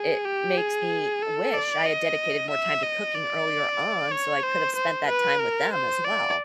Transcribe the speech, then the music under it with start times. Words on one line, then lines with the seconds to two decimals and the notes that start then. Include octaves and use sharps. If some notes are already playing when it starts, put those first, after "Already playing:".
it makes me wish I had dedicated more time to cooking earlier on, so I could have spent that time with them as well.
Already playing: G#4
0.25 G4
0.58 G#4
1.23 A4
1.54 D5
1.86 D#5
2.50 E5
2.83 D#5
3.15 D5
4.11 C#5
4.43 C5
4.76 C5
5.08 B4
5.40 A#4
5.73 C5
6.04 D5